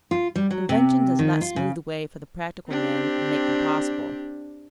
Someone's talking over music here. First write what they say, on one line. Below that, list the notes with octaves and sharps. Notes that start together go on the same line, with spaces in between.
Invention does not smooth the way for the practical men and make them possible.
F4
G3
F#3
C3
D#3
F4
C#3
C4 D4 G4